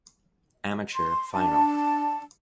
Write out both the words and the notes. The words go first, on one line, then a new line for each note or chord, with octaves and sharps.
Amateur final.
C6
D4 A5